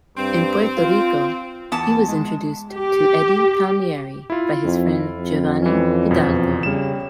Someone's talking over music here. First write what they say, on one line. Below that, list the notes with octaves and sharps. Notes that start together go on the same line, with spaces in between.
In Puerto Rico, he was introduced to Eddie Palmieri by his friend Giovanni Hidalgo.
G2 C4
F4
E2 B3 A5
G#3
G4
E4 F4
F2
F2
E3 C#4
E2 B2
C#3 G3 E7